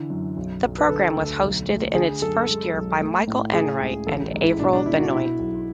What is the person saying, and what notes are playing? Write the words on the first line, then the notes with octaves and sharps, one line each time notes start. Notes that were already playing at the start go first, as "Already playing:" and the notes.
The program was hosted in its first year by Michael Enright and Avril Benoit.
Already playing: D3 E3
F#2
B1
B1
B4
D3 A4
D2
B1
A3
D3 G#4
F#2 A4
G#3
B1
A3
A2
C#3 G#4
C#2
A1 A4
G#2
E4
B2 D4
D4
B2 E4
F#4
B2 E4
B1